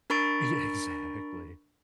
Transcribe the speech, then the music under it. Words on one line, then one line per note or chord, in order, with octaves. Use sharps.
Yeah, exactly.
D4 A#4 B5 C#6 A6 D7